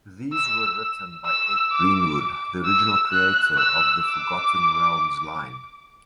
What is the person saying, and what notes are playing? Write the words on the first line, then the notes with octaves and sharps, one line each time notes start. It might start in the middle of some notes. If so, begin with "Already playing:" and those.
These were written by Ed Greenwood, the original creator of the Forgotten Realms line.
E6
E6
D6
E6
F#6
E6
D6